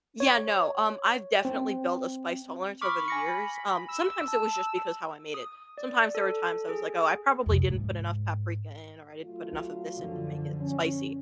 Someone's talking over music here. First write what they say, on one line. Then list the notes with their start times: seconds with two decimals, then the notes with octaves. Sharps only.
Yeah, no, um, I've definitely built a spice tolerance over the years, um, sometimes it was just because how I made it, sometimes there were times I was, like, "Oh, I probably didn't put enough paprika in or I didn't put enough of this in to make it spicy."
0.20 C#5
1.45 C4
2.81 B5 C#6 D6 F6
3.08 G#5 A#6 C#7
3.89 E6
4.28 A5
5.34 D#6
5.78 D5
6.15 A4
6.69 G#4
7.46 F2 C3
7.69 G#2
9.24 F#3 A3 F4
9.97 F#2 D3 F3
10.61 C#4